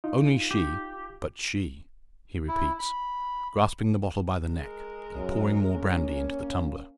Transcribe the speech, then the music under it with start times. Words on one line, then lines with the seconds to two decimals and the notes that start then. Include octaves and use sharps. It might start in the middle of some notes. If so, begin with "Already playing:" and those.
"Only she--but she!" he repeats, grasping the bottle by the neck, and pouring more brandy into the tumbler.
0.04 D#4 F4
0.51 G4
2.48 E4
2.79 B5
4.53 G#3 A#4
5.15 F#2
5.65 A#3 C#4